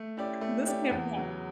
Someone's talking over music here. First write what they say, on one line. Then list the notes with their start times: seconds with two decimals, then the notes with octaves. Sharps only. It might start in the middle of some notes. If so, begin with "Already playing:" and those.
"This can't be happening."
Already playing: A3
0.17 C#4 E4 G4 D5
0.41 A3
0.66 C#4 E4 G4 D5
0.91 E2
1.16 C#3 F#3 C#4